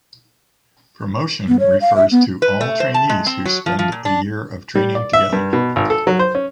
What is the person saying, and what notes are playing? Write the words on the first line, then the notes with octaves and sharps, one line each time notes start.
Promotion refers to all trainees who spend a year of training together.
B3
C#5
F5
E5
B3
B4
A3
C5
A5
G#3
C4
F#3
F3
F3
A#2
D4
G3
D5
E5
G2
B2
G#1
A4
F#3
C5
C#4